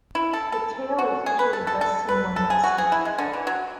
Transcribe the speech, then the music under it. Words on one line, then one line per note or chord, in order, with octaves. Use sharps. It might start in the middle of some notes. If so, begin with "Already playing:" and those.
The tail is usually best seen when resting.
E4
A4
A4
F#4
G#4
B4
A4
A4
A4
B4
A4
G#4
F#4
G#4
E4
G#3
D3
E3
F#3